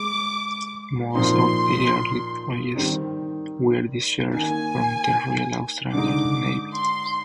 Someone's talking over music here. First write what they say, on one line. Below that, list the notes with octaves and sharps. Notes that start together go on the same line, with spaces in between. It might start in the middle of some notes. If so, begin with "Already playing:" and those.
Most of the early employees were discharged from the Royal Australian Navy.
Already playing: G#3 D6
A#2 F3 C4 D#4 C6
D#3 G3 C4 D#4
D#3 A#3 D#4 G#5
D3 G#3 D#4 D6
C6